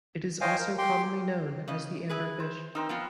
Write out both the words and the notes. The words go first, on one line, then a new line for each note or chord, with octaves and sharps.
It is also commonly known as the amber fish.
C5 C#5 D#5 F5 G5 G#5
A#4
G4 G5 C6
C#3 D#5
E4 G#4 B4
C5
C4 D#4 A#4 E6
F3 B3 F4